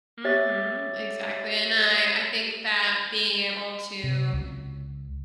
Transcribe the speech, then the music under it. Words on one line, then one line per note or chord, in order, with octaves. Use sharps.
mhm, exactly. And I I think that being able to
G4 C#5 E5 A6
C3
C#2